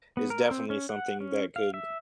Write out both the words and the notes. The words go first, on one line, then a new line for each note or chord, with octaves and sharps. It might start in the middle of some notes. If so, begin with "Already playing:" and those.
is definitely something that could,
B3
A#4
C4
C#4
F#5
C#4
F5
E5